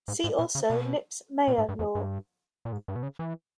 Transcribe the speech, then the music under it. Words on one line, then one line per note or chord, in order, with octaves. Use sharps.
See also: Lipps-Meyer law.
G#2
G#2
A#2
C#3
B2
A#2
G#2
G2
E2
G2
A#2
G#2
G2
B2
C#3
E3